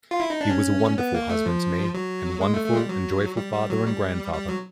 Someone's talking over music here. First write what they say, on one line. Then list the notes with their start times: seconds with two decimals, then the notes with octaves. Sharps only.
He was a wonderful husband to me, and wonderful and joyful father and grandfather.
0.11 F4
0.20 E4
0.30 D#4
0.41 D4
0.49 C#4
0.98 B3
1.14 A#3
1.30 A3
1.46 F3
1.94 F#3
2.41 G#3
2.54 A3
2.65 A3
2.73 G#3
2.77 G3
2.89 F#3
3.37 G3
3.53 G3
3.70 F#3
3.86 G3
4.33 G3
4.49 F#3